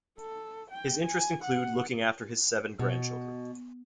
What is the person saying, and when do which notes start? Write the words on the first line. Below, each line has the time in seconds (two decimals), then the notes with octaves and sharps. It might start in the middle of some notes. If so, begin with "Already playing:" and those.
His interests include looking after his seven grandchildren.
0.17 A4
0.70 G5
1.03 G#5
1.43 F#5
2.79 B2